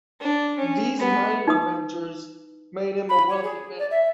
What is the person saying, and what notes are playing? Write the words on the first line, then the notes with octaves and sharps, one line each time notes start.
These mining ventures made him a wealthy man.
D4
C#4
B3
D#4 B4 D#6
B5
C#5
G#4
D5
E5